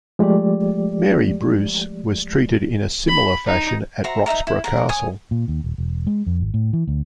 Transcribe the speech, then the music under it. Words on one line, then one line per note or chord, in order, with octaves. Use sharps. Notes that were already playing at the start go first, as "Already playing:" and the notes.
Mary Bruce was treated in a similar fashion at Roxburgh Castle.
F3 G#3 A3 G4 D5
B5
D#4
F#4 C5 E5 A#5
D#4 D#5 E5 A#5
E4
A#4 F#5
C#5 G#5 D#6
A#2
D#2
D#1
E1
G#3
F2
G#1
A2
E3
D2